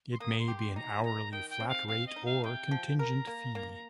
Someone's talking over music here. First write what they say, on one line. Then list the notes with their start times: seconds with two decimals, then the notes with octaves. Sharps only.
It may be an hourly, flat-rate or contingent fee.
0.12 C6
0.20 A#3 D#6
0.39 C6
0.48 G4
0.58 C6
0.76 D#4 A#5
1.04 D#3 A#5
1.32 D#3 G5
1.50 G5
1.60 C4
1.69 F5
1.88 C4 F5
2.07 D#5
2.16 D#4
2.26 F5
2.44 C3 G5
2.71 F3
2.99 A#4 A#5
3.27 A#3
3.55 A#3